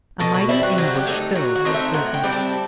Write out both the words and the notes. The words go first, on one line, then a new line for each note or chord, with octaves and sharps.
A mighty anguish filled his bosom.
B2 A4
F#4
G3 C4 E4
F#4
F#3 G4
F#4
G4
A3 C4 D#4
F#3 F#4
F#4
A3 C4 D#4
E5
A2 F#5
G5
G3 C4 E4
A5